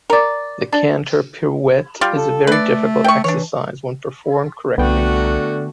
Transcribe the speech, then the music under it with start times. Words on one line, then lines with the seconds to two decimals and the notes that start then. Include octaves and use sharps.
The canter pirouette is a very difficult exercise when performed correctly.
0.10 A#4 D5
0.72 D4
2.01 G3 F4 G4
2.17 A4
2.47 A3 B4 D5
3.04 G5 C#6
3.24 E3 D4 C#5
4.78 C2 D3 A3 B3 F#4 G5